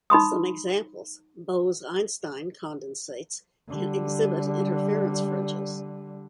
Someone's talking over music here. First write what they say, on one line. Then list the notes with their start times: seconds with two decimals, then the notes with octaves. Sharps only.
Some examples: Bose-Einstein condensates can exhibit interference fringes.
0.10 D#4 B5 C6 D#6
3.68 D3 G3